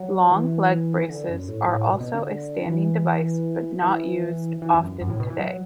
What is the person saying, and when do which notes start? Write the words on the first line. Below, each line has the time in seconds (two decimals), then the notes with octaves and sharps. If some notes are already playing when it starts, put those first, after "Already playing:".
Long leg braces are also a standing device but not used often today.
Already playing: F#3
0.31 E3
1.02 E3
1.09 D3
1.29 F#2
1.48 A2
1.68 A2
1.88 B2
2.00 B2
2.14 D3
2.66 E3
3.83 E3
4.62 E3
4.75 E2
4.81 F#2
5.01 F#2
5.10 A2
5.20 B2
5.30 E3
5.40 F#3